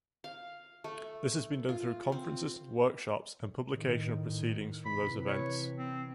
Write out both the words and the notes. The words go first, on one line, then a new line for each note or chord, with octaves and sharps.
This has been done through conferences, workshops and publication of proceedings from those events.
F5
A3
F4
C4
A2 D#3
C3 E3 B5
C#5
C4